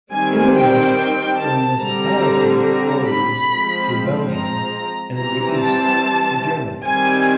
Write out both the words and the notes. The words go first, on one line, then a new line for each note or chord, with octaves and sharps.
In the west the municipality borders to Belgium and in the east to Germany.
D#3 G3 C4 G#5
G5
G5
A5
D3 G3 C4 A#5
A#5
B5
F3 G#3 C4
A#5
E3 G3 C4 A#5
A5
D#3 G3 C4 G#5